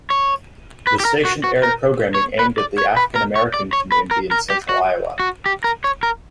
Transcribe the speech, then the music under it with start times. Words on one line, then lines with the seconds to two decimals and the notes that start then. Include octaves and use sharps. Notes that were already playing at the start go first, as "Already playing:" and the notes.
The station aired programming aimed at the African American community in central Iowa.
0.10 C#5
0.87 B4
1.00 G4
1.05 A#4
1.25 F#4
1.44 F#4
1.63 A#4
2.15 C#5
2.39 B4
2.58 D5
2.78 C#5
2.97 B4
3.16 A#4
3.36 C#5
3.54 D5
3.73 C#5
3.92 B4
4.11 A#4
4.31 A#4
4.50 G4
4.69 F#4
5.20 F#4
5.46 G4
5.64 A#4
5.84 C#5
6.03 A#4